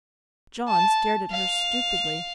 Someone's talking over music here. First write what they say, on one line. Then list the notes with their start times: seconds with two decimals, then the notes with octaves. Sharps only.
John stared at her stupidly.
0.69 A5
1.31 F5